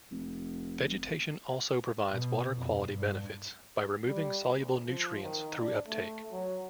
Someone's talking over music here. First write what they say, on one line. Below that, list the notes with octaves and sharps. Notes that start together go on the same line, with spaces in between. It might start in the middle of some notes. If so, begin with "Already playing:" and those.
Vegetation also provides water quality benefits by removing soluble nutrients through uptake.
F1
B2
F2
G2
G3
D2
F3
D#3
D4
A3
F#3